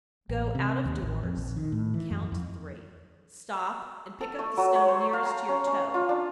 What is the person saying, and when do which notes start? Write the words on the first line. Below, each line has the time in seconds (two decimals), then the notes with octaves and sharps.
Go out of doors, count three, stop and pick up the stone nearest to your toe.
0.29 A1
0.55 C3
0.85 D#2
1.02 A1
1.23 F2
1.37 A#1
1.56 D#3
1.72 A2
1.94 E3
2.11 F#2
2.32 F2
4.21 A4
4.39 A3
4.57 F#3
4.75 C#5
4.88 C5
5.13 F5
5.25 A#5
5.48 C#4
5.67 C#4
5.94 F4
6.09 D4